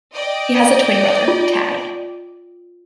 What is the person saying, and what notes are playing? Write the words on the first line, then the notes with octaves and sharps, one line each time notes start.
He has a twin brother, Tad.
D5 D#5 G5
F4